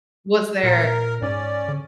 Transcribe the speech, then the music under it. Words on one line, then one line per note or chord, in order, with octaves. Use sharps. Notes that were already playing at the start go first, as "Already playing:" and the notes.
Was there
A#2 A#4
G#2 C#4 D5
D3